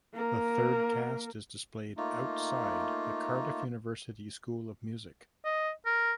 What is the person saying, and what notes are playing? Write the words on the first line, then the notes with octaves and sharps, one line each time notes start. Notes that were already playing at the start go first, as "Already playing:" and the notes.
The third cast is displayed outside the Cardiff University School of Music.
A#3 A#4
A3 A#3 D#4 F4
D#5
A#4